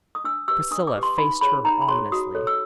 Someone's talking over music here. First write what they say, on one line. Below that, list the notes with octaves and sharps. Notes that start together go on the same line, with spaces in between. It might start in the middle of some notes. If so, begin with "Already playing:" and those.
Priscilla faced her ominously.
D#6
D4 E6
G4 B4 E6
D4 D#6
D6
G4 B4
C6
D#4 B5
G#4 C#5 B5
D#4 A#5
B5
G#4 C#5 C6
F#4 D#6
A4 C#5
E6